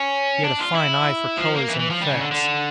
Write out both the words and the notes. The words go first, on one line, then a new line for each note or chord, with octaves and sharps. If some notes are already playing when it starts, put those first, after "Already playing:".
He had a fine eye for colors and effects.
Already playing: C#4
D4
F4
E4
F3
A#3
E3
E3
F3
G3
C#3
D3
D3